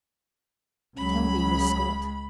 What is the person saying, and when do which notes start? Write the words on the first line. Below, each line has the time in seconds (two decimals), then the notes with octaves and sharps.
"Tell me, Miss Scott."
0.96 C#2 F#3 G#3 C#4 B5